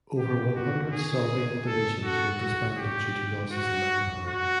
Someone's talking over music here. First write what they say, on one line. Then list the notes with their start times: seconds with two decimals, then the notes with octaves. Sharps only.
Over one hundred Soviet divisions were disbanded due to losses in manpower.
0.18 G4
0.55 F#4
0.92 G#4
1.67 A4
2.04 F#4
2.40 F#4
2.78 G4
3.52 F#4
4.27 F#4